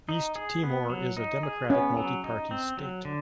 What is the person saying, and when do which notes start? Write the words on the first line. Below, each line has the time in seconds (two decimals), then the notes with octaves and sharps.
East Timor is a democratic, multi-party state.
0.09 D#4
0.36 G#4
0.63 B3
0.90 F#3
1.17 D#4
1.43 G#4
1.70 B3 C#4
1.97 F#3
2.24 D#4
2.51 C4
2.77 F#3
3.05 D3